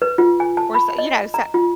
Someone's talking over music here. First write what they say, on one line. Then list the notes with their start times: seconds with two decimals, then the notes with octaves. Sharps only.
or so you know, s
0.02 B4
0.18 F4
0.40 G#5
0.57 A5
0.74 B5
0.98 D#5
1.34 A#5
1.54 F4